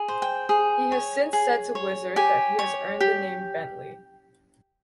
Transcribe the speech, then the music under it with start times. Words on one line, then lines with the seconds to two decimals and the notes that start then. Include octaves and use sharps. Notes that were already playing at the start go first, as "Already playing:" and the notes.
He has since said to Wizard that he has earned the name "Bentley".
Already playing: G#4
0.08 C5
0.22 G5
0.49 G#4
0.92 C#5
1.33 G#4
1.75 C#5
2.16 G4 G#5
2.59 C#5
3.01 G4